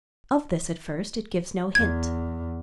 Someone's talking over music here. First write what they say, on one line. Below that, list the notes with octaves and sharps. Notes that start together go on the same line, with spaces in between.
Of this at first it gives no hint.
E2 G#6